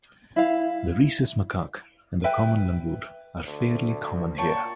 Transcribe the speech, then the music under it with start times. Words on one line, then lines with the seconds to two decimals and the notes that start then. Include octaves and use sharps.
The rhesus macaque and the common langur are fairly common here.
0.36 E4 F5
2.24 B4 E5 G5
3.46 D2
4.38 A#2 C#5 G5 A5